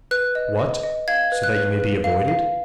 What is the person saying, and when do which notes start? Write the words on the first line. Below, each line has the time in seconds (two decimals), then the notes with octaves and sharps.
"What! so that you may be avoided?"
0.11 B4 F#6
0.35 D#5
0.59 D#5
0.83 D#5
1.08 F5 G#6
1.32 B4
1.43 F#6
1.56 B4
1.80 B4
2.04 F5
2.28 F5